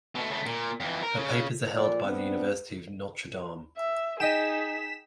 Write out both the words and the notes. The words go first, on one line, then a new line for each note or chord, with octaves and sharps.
Her papers are held by the University of Notre Dame.
B2 A3
C#3 A3
A#2
F2 E3
A#4
C#3
A#2 F3 D5
B3 C4 D4
E5
D#4 G#4 D#5 G5 B6 E7